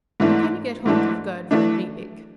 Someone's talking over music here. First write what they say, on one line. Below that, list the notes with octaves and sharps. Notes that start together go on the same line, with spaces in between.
And can you get hold of Gerd van Riebeek?
G#2 E3 A3 D4
G#2 E3 A3 D4
E3 A3 D4